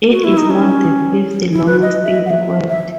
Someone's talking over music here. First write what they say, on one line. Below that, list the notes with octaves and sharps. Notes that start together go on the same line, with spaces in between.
It is now the fifth longest in the world.
F#4
E4
D#4
C#4
E4
B4
D#5
E5
F#5
E5
E5